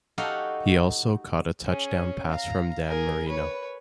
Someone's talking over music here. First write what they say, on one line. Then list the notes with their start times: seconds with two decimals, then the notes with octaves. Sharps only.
He also caught a touchdown pass from Dan Marino.
0.18 D#4 F#4 G4 A4 F5 F#5
1.64 C#4 G#4
2.28 F5 A#5
2.86 G#4 A#4
3.29 B4 C#5